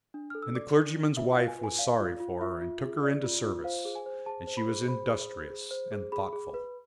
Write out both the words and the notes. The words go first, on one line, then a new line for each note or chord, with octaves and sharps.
And the clergyman's wife was sorry for her and took her into service; and she was industrious and thoughtful.
D4
A4 F6
E6
D5 D6
D4
D4
F4 E5
F4 F5
G#5
B4 G#5
D5 F5
F4
F4
F4 E5
F4
G#4
D5
F4
F4
C5 F5
G#4
G#5
C5
G#4 A5
C5
B5
G#4
C5 B5
G#4
C5
G#4
C5
G#4
G#4 B5
G#4
B4